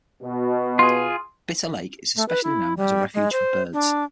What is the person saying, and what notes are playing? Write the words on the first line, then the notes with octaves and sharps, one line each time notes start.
Bitter Lake is especially known as a refuge for birds.
B2
F4 G#4 C6
A3
B4
E4
G3
G#3
C5
D4